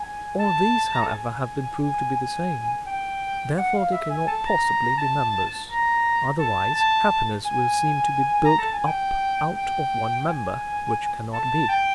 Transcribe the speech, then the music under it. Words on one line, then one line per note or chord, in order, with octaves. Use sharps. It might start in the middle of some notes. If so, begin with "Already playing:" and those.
All these, however, have been proved to be the same; therefore they cannot possibly be members, otherwise happiness will seem to be built up out of one member, which cannot be.'
Already playing: G#5
A5
A#5
A5
G#5
G#5
G#5
G5
F#5
F5
E5
G#5
A5
A#5
A5
A#5
A5
A5
G#5
A#5
A5
G#5
G5
G5
G5
G#5
A5
G5